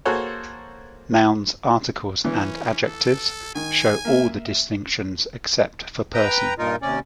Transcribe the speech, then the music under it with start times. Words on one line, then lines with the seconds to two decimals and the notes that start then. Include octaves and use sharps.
Nouns, articles and adjectives show all the distinctions except for person.
0.05 A#3 F#4 G#4 A4 C5 C#5
2.24 E3 C#4
2.83 A4
3.55 D#3 G#5
4.05 A#3 E5
6.14 B4 G5 A#5
6.58 G2 A#2 D#4 F4 A#4
6.82 D#2 C3 C#4 D5